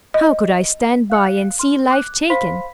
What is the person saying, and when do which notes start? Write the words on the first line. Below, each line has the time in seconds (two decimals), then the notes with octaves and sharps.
How could I stand by and see life taken?
0.14 D#5
1.10 F5 F#6 C#7
1.59 C6 F6
1.90 D6 F#6
2.30 C5 F5 B5 C6 B6